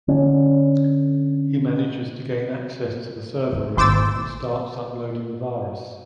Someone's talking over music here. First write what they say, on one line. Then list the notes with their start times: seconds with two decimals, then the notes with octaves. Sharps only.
He manages to gain access to the server room and starts uploading the virus.
0.08 D3 C#4
3.77 G#1 C5 D6 E6 A6